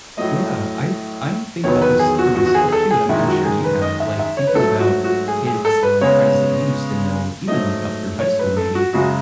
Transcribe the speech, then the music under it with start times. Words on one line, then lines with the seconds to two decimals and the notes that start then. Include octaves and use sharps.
Yeah. I th I think about this for myself too, and I'm I'm sure you have, like, thinking about kids or friends that you used to know, even, like, up through high school maybe,
0.17 A2 F#3 A3 D#5
1.63 E2 D#3 F#3 B3 C#5
1.82 B4
1.99 G#4
2.18 F#4
2.36 F#4
2.46 F#4
2.55 G#4
2.69 G#4
2.72 A4
2.91 G#4
3.09 F#2 D#3 G#3 E4
3.27 F#4
3.45 G#4
3.64 B4
3.82 D#5
4.00 E5
4.19 E5
4.37 C#5
4.47 B4
4.55 G#2 F#3 A3 A4
4.79 F#4
5.04 F#4
5.28 G#4
5.47 G#4
5.65 A4
5.83 B4
6.01 C#3 G#3 B3 C#5
7.47 G#2 F#3 A3 D#5
8.20 C#5
8.39 B4
8.57 A4
8.75 F#4
8.93 F#2 C#3 G#3 F#4